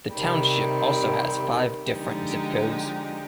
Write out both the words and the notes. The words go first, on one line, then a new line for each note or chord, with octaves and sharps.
The township also has five different zip codes.
C3 D#3 G3
D3 F3 G#3 D#4 G4